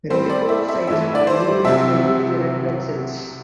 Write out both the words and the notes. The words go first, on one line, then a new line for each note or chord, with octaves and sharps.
Reticulocytes are newly produced red blood cells.
A2 G3 C4 C5
D5
E5
E5
G2 E3 A3 E5
D5
C5
C2 C3 F#3 C4 E5